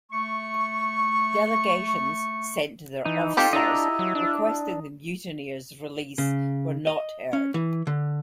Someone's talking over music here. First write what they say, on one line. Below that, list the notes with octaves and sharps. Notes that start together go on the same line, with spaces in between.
Delegations sent to their officers requesting the mutineers' release were not heard.
A3 C#6
E3 D#4
C4 F4 G4 A4 G5
D4 E4 D#5 A#5
F#3
D4
C#3
D#5
C#4
E3
D3